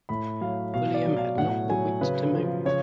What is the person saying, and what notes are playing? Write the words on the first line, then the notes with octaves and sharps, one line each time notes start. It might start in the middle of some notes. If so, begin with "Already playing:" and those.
William had not the wit to move.
A2 B5
F#3 F5
B2 F5
D5
F#3
F5
A2 F#5
F#3 G#5
C#3 B4
F3
C#3 C#5